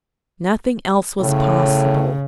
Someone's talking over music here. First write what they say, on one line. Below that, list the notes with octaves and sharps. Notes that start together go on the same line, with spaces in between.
Nothing else was possible.
A2 C#3